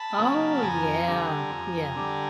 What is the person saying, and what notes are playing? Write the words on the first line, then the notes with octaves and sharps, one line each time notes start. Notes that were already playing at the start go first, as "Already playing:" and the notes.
Oh, yeah. Yeah.
Already playing: A5 B5
C#3 F#3 A#3
F2 G#5 A#5
D3 G3
F2
D3 G3